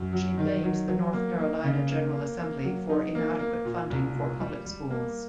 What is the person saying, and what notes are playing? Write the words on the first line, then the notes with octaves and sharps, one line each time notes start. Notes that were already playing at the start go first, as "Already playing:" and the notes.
She blames the North Carolina General Assembly for inadequate funding for public schools.
Already playing: F#2
F#3
D#3
F#3
F#3
A#3
A#3
C#3
A#3
A#3
A#3
F#3
D#4
A#3
A#3
A#2
C2
A#2
G3
G3
A#3